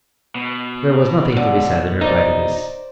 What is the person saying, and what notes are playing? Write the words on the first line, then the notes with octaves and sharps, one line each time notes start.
There was nothing to be said in reply to this.
B2
F#2 D3
D#4 C5 D5